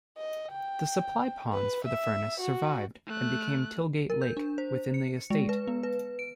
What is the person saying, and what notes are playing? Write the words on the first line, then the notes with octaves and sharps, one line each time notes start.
The supply ponds for the furnace survived and became "Tilgate Lake" within the estate.
D#5
G5
B4
E5
F#4
A3 F#6
A#4
G6
D4
C5
C#7
G#3
B4
B3
B4
D7